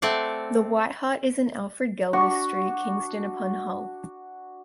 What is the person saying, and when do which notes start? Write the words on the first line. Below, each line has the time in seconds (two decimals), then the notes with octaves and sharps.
"The White Hart" is in Alfred Gelder Street, Kingston upon Hull.
0.02 A3 C4 D5 F#5
2.13 D4 F#4 C#6